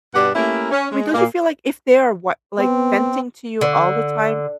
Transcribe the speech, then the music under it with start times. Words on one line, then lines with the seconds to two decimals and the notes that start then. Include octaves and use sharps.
I mean, don't you feel like if they are, what, like, venting to you all the time,
0.15 G2 B2 D4 G4 B4 F#5
0.35 A3 A#3 C#4 E4 G4 A#4
0.71 C#4
0.91 G#3
1.14 A#2 A#3
2.58 B3 C4
3.61 D3